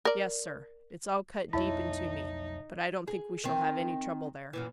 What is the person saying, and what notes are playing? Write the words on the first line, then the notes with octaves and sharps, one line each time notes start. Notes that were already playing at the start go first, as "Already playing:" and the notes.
"Yes, sir; it's all cut deep into me, but I don't think we shall have any trouble there."
A#4 D5
B1 F2 A3 D#4 E4 C#5 E5 A5
G#4
D#3 C4
F#2 A#2 E3